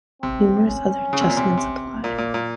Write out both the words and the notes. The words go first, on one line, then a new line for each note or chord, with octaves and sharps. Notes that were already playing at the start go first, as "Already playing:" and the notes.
Numerous other adjustments apply.
C3 C4
C#4
C#3
C3
A#2
C3
C3
A#2 A#3
A#2
A#2